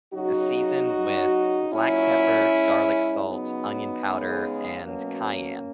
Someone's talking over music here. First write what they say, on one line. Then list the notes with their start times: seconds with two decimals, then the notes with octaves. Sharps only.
Uh, season with black pepper, garlic salt, onion powder, and cayenne.
0.13 C#3 F#3 D#4 F#4
0.91 C#3 F#3
1.70 A#2 F#3 C#4 E4
2.48 C#3 G#3
3.27 C#3 F#3 B3 D#4
4.05 C#3 G#3
4.84 B2 F#3 A#3 C#4